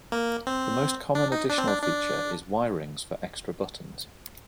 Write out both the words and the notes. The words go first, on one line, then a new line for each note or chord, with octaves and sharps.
The most common additional feature is wirings for extra buttons.
A#3
C4
D4
D#4
D4
C4
D4
D4